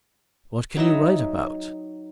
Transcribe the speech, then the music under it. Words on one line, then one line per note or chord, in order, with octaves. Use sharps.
What can you write about?
F#3 D#4 D#5 E5